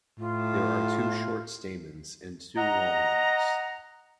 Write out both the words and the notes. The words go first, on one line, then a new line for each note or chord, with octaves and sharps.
There are two short stamens and two long ones.
A2 F4
D#5 F#5 A#5